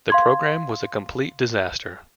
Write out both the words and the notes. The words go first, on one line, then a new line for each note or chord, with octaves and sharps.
The program was a complete disaster.
F5 C6 G#6